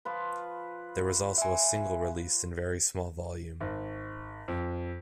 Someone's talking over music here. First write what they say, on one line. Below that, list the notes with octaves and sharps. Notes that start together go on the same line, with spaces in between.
There was also a single released in very small volume.
F3 F4 B4
E5 G#5
G#1
F2